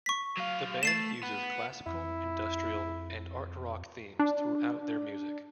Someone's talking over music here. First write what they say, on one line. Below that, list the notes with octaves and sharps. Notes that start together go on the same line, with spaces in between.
The band fuses classical, industrial, and art-rock themes throughout their music.
C#6 B6
F#3 F5
A3 A6 C7 E7
B3
F2 E4
D4